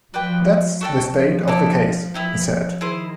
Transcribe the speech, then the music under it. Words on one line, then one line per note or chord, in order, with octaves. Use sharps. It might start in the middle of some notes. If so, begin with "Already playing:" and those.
"That's the state of the case," he said.
F3 F#4 B4 D5 G5
F#3 F#4 A4 D5 G5
F3
B3 E4 A4 D5
B3 E4 G4
D#3 E4 G#4 C5